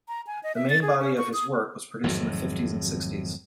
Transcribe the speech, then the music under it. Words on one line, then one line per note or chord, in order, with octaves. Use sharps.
The main body of his work was produced in the fifties and sixties.
A#5
G#5
D#5
E5
A6
G#4
C#4
C#6
D#6
G#1 F2 A2 F#3